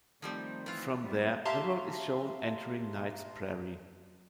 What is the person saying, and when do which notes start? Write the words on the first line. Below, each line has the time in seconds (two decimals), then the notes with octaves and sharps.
From there, the road is shown entering Knight's Prairie.
0.22 D#3 F3 G3 A3 C4
0.66 E3 F4
1.02 G3 B3
1.45 G4 E5 F5 A5 A#5 C6